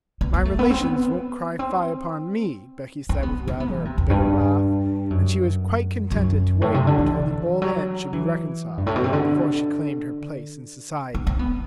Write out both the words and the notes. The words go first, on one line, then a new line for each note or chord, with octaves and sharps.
"My relations won't cry fie upon me," Becky said, with rather a bitter laugh; and she was quite contented to wait until the old aunt should be reconciled, before she claimed her place in society.
B3
B3
A3
B3
C4
B3
C4
C4
B3
C4
B3
E3
C3
E2
G2
F#2
F#2
A2
C3
D3
E3
F#3
E3
G2
A2
B2
C3
D3
B3
C4
B3